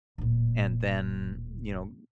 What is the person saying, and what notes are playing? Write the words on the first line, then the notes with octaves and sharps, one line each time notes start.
and then, you know,
D1 A#2